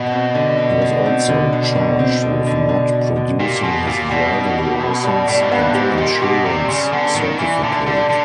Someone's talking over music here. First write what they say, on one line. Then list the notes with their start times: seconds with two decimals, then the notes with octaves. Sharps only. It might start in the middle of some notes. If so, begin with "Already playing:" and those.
He was also charged with not producing his driving licence and insurance certificate.
Already playing: B2
0.12 C4
0.35 D3
0.59 D3
0.82 D3
1.06 C4
1.29 D3
1.53 D3
1.75 D3
1.99 C4
2.22 D3
2.47 D3
2.69 D3
2.92 D3
3.16 D3
3.40 A#2 G4
3.63 B2 G4
3.87 A#2 G4
4.10 B2 G3
4.33 D#4
4.58 G4
4.81 B3
5.04 G3
5.28 A2 G3
5.43 G#2
5.52 G2 B3
5.75 G#2 G4
5.98 A#2 G4
6.22 B2 G4
6.45 C3 G3
6.68 C#3 G3
6.92 D3 B3
7.15 A#2 D#3
7.39 A#2 E3
7.62 A#2 D3
7.86 D3 G3
8.10 D3